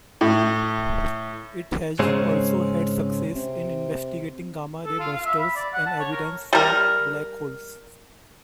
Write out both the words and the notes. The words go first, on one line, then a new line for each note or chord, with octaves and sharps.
It has also had success in investigating gamma-ray bursters and evidence for black holes.
A2
G#2 C#3 G#3 C4 C#4
C3
A4
F4
F5
E5
B5
D5
F#5
A5
C#5
A#4
G3 A#4